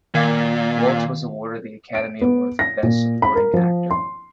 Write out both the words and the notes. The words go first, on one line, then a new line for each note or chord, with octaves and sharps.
Waltz was awarded the Academy Award for Best Supporting Actor.
A#2 D#3 F5
D7
B3
A#6
A#2
B5
A#4
F3
C6